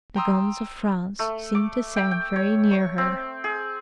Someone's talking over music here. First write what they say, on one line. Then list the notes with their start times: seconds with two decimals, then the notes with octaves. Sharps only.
The guns of France seemed to sound very near her.
0.16 G5 A#5 C6 D#6 E6
1.19 A3
1.55 D6
1.96 G5
2.11 G5
2.36 C#5
2.71 C#6
2.98 C4
3.44 G#4